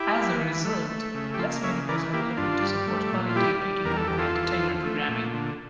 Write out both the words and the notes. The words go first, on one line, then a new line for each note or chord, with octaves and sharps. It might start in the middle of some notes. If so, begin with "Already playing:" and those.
As a result, less money was available to support quality radio network entertainment programming.
Already playing: E4 G4
A#3
E3
A3
A3
C#3
G4
A#3 F4 A4
C#3 C#5 E5
E3 A#4 D5
A#3 E4 G4
G2 D4 F4
G3
A3
A#2
F4
G3 E4 G4
G3
E2 A#4
A4
E2 G4
F4 A4
E2
F3
A3
A#2
D3